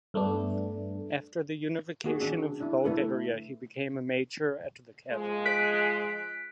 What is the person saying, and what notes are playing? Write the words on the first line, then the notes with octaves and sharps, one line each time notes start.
After the Unification of Bulgaria, he became a major at the cavalry.
G2 A3 B3 D4
A#3 F#4 G#4
D#3 C#4 D4
D4 E4
D3 A3 E4 A4 B4
F3 G#3
F#6 B6 D7